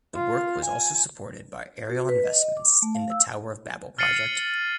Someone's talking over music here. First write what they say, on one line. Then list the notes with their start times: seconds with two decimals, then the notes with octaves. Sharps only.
The work was also supported by Ariel Investments in the "Tower of Babel" project.
0.15 F4
0.65 G#5
1.90 F#4
2.09 B4
2.24 D#5
2.57 D6
2.82 A3
2.95 F5
3.10 E6
3.99 F6 A6 C7 C#7 D#7 F#7